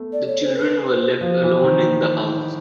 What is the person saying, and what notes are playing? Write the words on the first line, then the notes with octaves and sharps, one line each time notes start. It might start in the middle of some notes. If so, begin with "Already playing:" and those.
The children were left alone in the house.
Already playing: A3 B3
D5
C#5
C5
B4
C5
F3 C5
E3
D#3